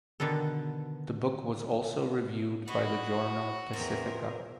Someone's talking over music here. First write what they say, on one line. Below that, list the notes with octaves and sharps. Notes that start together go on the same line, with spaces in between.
The book was also reviewed by the journal "Pacifica".
B2 D3 D#3 B3 A4
F#4 B4 C#5 D#5
E2 F3 C4 A#4